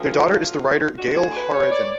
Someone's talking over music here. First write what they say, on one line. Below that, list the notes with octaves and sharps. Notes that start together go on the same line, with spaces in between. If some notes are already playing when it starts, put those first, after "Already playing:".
Their daughter is the writer Gail Hareven.
Already playing: D2 C#3 F3 B3 F4
A2 G#3 D4 F#4
G#4
B4
C#5
D5